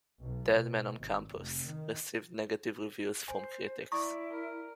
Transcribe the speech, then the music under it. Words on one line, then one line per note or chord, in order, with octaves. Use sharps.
"Dead Man on Campus" received negative reviews from critics.
B1
B2
G#1
F1
D#3
C5 G#5
E4 D5 A#5 C#6 D#6
A#4